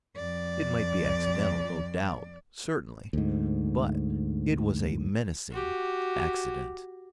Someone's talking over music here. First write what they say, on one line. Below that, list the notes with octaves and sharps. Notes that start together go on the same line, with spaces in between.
It might be accidental, no doubt, certainly, but it was a menacing accident.
F2 D5
D2 G#2
F#4 G4